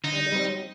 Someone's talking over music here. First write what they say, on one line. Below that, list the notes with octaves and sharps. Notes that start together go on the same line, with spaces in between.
and it'll
D3 D#4
G3 C4 G4